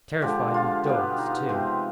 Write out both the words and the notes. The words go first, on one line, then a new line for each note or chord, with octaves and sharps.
Terrified with dogs too!
D3 F3 G#3 G4
F4
B2 G3 B3 G4
D#4
F4
D#4
C3 F3 G#3 B3 C4